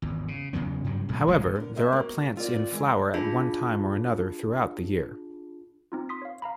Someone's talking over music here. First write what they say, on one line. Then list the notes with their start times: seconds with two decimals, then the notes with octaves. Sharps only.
However, there are plants in flower at one time or another throughout the year.
0.02 G#1 E2
0.28 C#3
0.53 E2 C#3 F#3 B3
0.84 G2 C#3 F#3 G3
1.09 A1 A#2 F#3
1.27 D#1 C2 D3 G#3
1.56 D3 A#4
1.75 C5 D#5 E5
1.92 A#3 F#4
2.36 C4 F4 A#4 D5
2.72 E3 G#3
3.14 D4 F4 G#4 A5 B5
5.92 C4 D#4 F4
6.09 C6 D#6 B6
6.22 C#5 F5
6.42 F5 A#5 B5